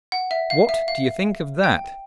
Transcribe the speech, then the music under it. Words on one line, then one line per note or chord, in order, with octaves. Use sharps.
"What do you think of that?"
F#5
E5
F5
E5
F5
G5